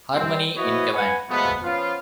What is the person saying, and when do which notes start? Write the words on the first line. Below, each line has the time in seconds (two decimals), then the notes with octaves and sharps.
Harmony in command.
0.12 D#3 E3 G3 C4
0.55 F3 E4 F#4 B4 C#5 D#5
0.94 B4 F#5 G#5
1.28 B2 F3 G#3 A3 B3
1.62 F3 B3 C#4 F4